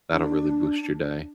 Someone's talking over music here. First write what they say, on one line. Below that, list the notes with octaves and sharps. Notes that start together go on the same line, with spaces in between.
That'll really boost your day.
D4